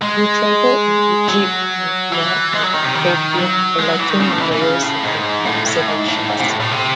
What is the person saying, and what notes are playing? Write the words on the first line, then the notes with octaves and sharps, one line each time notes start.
He travelled in Egypt, Nubia, and Ethiopia, collecting minerals and making observations.
G#3
F#3
E3
G#3
F#3
D#3
C3
D#3
F#3
G#3
F#3
E3
D#3
C#3
A2
E3
E3
C#3
A2
G#2
A2
A2
G#2
A2
G#2
C3
A2
A2
C3